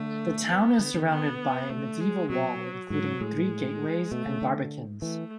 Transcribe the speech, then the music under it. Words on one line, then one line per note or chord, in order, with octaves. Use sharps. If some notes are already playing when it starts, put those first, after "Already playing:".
The town is surrounded by a medieval wall including three gateways and barbicans.
Already playing: D3 A3
B3
D3
D3
B3
D3 A3
G#3
B2 F#3
G#2 F#3
A2 G#3
B2 A3
C#3
D3
E3 A3